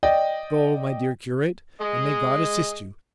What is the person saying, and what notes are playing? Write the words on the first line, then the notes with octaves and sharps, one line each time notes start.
"Go, my dear curate, and may God assist you!"
D5 D#5 G5
G#3 D#5